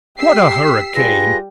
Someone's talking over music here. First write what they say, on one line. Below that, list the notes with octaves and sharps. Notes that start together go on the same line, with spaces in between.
What a hurricane!
G4 E6 B6 C7
G3 F4 G#4 B4 A#6